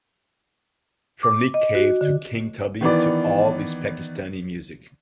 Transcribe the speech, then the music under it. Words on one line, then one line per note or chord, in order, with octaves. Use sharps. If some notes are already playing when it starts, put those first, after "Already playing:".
From Nick Cave to King Tubby to all this Pakistani music.
D6
D#5
F#4
D3
D#3 E3 B3 D5